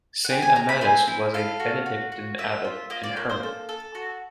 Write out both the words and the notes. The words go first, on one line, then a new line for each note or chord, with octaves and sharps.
Saint Amatus was a Benedictine abbot and hermit.
F#5
G#4 G5
G#5
G#4 A#5
B5
C4 G#5
E4
A4 F5
F#4
F#4
F#4
A#3 E5
F4
A#3 D#5
D5
A#3 C#5
C5
A4
A4
F#4